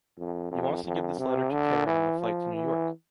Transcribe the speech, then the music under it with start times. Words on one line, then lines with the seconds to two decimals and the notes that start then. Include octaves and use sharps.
He wants to give this letter to Karen on the flight to New York.
0.18 F2
0.51 F2
0.85 F2
1.18 C3
1.52 D3
1.87 E3
2.20 F3
2.54 E3